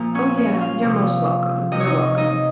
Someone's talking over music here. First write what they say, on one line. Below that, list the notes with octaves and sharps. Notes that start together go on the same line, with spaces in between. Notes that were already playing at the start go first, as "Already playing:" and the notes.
Oh, yeah, you're most welcome, you're welcome.
Already playing: A#2 F3 A#3 A#4
C#4 C#5
C#4 C#5
F4 F5
C3 F3
C3 F3 D#5
C#5
D#4 D#5
D#4 D#5